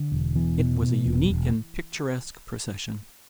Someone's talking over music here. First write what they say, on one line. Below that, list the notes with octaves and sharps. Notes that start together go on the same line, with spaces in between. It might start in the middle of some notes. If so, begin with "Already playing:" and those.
It was a unique and picturesque procession.
Already playing: D3
E1
E2 E3
B2
B2
E1
E1